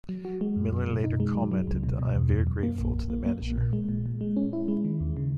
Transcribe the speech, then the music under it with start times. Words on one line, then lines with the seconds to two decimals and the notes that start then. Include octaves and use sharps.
Miller later commented that I am very grateful to the manager.
0.09 F#3
0.25 F#4
0.41 G#3
0.56 F#2
0.73 F#2
0.88 B2
1.04 D#4
1.20 G#3
1.35 F#3
1.52 F#3
1.67 C#2
1.83 B2
1.99 B2
2.15 E2
2.30 F#2
2.47 F#2
2.63 A#3
2.78 A#1
2.94 A#1
3.10 A#3
3.26 A#3
3.42 A#1
3.58 A#2
3.73 G#3
3.89 A#2
4.06 A#2
4.21 G#3
4.36 C#4
4.53 E4
4.68 G#3
4.85 D#3
5.00 D#2
5.17 C#3